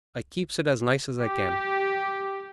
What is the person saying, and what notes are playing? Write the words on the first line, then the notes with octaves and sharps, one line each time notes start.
I keeps it as nice as I can.
G4